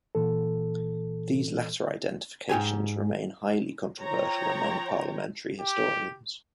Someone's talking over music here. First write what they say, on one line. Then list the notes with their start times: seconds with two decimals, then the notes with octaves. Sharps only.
These latter identifications remain highly controversial among parliamentary historians.
0.15 A#2 E3 A4
2.49 G#2 F#3 G4 G#5
4.01 F3 C#5 G5 A#5
5.59 G4